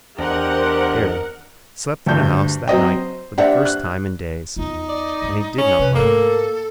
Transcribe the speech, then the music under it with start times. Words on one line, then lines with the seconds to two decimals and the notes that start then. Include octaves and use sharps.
Harry slept in a house that night for the first time in days, and he did not like it.
0.19 E2 D4 G4 A#4 C5 D#5 F#5
2.06 D2 G2 G6
2.67 F#3 C4 D#5 G5
2.88 C5
3.38 D4 G4 C5 E5 F#5
3.65 F#6
4.56 E2 D#4 F4
4.89 D5
5.22 A2 G#3
5.58 C#4
5.79 C3 B4
5.95 G#2 A3 A#3 A4